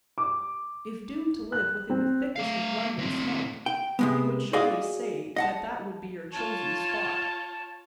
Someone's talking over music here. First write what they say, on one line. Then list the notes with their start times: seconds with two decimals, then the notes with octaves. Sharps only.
If doomed to live within the thickest of London smoke you would surely say that that would be your chosen spot.
0.18 D6
1.52 F#6
1.90 C4
2.36 A3 F5
2.99 A2 C4
3.66 G5
3.99 C3 G#3 B3
4.53 F#4 G#4 D5 D#5 F5 G#5
5.36 D#5 F#5 A5
6.32 F4 C#5 A5